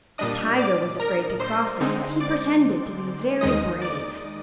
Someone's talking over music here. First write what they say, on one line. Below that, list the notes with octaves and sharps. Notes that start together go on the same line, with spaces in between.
The tiger was afraid to cross it, but he pretended to be very brave.
A#2 G3 D4 D#5 D#6
D5 D6
A#4 A#5
C5 C6
D3 G#3 C4 D#4
D5 D6
D#2 D#3 G#3 D#4 D#5 D#6
D5 D6